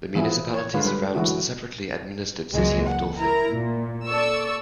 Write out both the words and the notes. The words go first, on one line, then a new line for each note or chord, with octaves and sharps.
The municipality surrounds the separately administered city of Dauphin.
E3 F3 B3 E4 G#4
C#5
D3 G#3 F4 B4
G3 B4
D3 E3 F#3 G#3 E4 F#4
C#2 A#2 E3 F#3 G#3
F#5
E4 A#4 A#5
A#2
A4 D5 C#6 E6